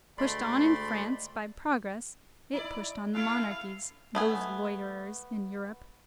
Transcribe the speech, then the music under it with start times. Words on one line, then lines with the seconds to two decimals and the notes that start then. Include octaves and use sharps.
Pushed on in France by progress, it pushed on the monarchies, those loiterers in Europe.
0.18 D2 G#3 A3 D5 B5 C6
2.53 D#4 E4 D5
3.15 A3 E4 A4 F5
4.15 A3 B3 G#5